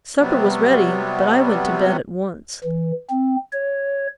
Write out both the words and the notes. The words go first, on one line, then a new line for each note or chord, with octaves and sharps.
Supper was ready, but I went to bed at once.
C3 F#3 G3 B3
E3
C4
C#5